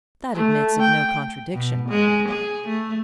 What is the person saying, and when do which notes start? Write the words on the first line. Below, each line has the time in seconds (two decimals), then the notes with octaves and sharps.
"That admits of no contradiction, my lord."
0.35 A3
0.81 G5
1.54 B2
1.89 G#3
2.28 G#4
2.68 A3